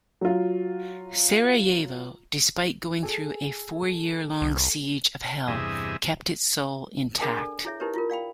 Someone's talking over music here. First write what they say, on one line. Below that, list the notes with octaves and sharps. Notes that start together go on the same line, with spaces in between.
Sarajevo, despite going through a four-year-long siege of hell, kept its soul intact.
F#3 F4
G#4 A4
C2
E2 G2 C3 G#4 D#5 E5
D4 G#4 A#4 G5 G#5 D#6
A4 D5 G#5
E4 G#4 C#5 E5
D#4 E4 G4 A#4 B4 C#5
E4 F4 A#4
D5 F5 G5 B5